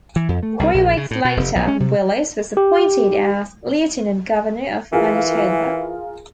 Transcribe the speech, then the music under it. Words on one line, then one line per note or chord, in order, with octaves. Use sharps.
Three weeks later, Willis was appointed as Lieutenant Governor of Manitoba.
E3
F2
A3
C2
A#1
C#3
A2
B2
F1
B1
C#4
C3
G4
E3 F4 G#4 A#4